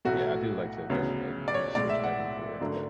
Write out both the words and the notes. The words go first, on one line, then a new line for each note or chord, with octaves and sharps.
Yeah, I do like to go, like, you know, switch back and forth, but
B1 A2 F#3 A3 F#4
D2 C#3 F#3 B3
D5
C#5
B1 A2 G#3 D5
E5
F#5
G#1 F#2 D3 F#3 A3